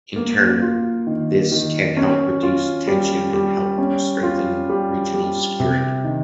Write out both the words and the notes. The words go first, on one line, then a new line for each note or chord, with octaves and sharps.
In turn, this can help reduce tensions and help strengthen regional security.
A#3
F4
D#3
D#3
C#4
F4
G3
G3
C#4
F4
G3
G3
C3
D#3